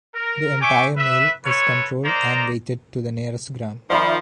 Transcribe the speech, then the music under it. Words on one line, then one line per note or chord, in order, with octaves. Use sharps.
The entire meal is controlled and weighted to the nearest gram.
A#4
C#5 E5 G5 G#5 C#6 D6
B4 E5
F4 A4 B4 C#5
A#3 D#4 C5 D5 A#5
D#3 F3 D5 E5 B5